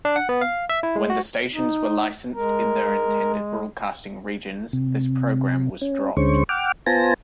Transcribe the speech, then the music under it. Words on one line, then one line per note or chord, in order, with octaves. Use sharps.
When the stations were licensed in their intended broadcasting regions, this program was dropped.
D4
F#5
B3
F5
E5
E4
G#3
F#4
D#4
G#3 A#4
C3
C#4
D2 D3 G#3 C#4 C5 C#6
F#5 G5 D6 F6
B3 F4 C5 G#5 A5 A#6